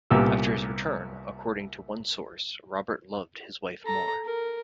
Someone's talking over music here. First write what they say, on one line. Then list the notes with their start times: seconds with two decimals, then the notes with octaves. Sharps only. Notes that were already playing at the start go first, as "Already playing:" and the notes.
After his return according to one source Robert loved his wife more.
0.10 C2 A#2 B3 C#4 G4 E6
3.84 A4 A#5
4.25 A#4